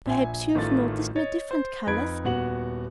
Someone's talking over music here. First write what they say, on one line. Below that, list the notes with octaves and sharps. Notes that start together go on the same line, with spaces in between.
Perhaps you've noticed my different colors.
A#1 E5 G#5
A1 D#3 A3 F4 A6
C#5 D#5 A6
C5
F2 D#4 B4 B5 G#6 D7
D#1 B3 F#4 F#5 F#7